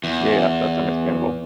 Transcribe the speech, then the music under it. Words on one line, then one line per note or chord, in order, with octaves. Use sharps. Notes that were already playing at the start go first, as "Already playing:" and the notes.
Yeah, yeah, that's understandable.
E2